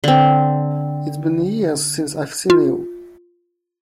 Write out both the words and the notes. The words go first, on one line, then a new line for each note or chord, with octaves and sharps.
It's been years since I've seen you!
D3 C4
F4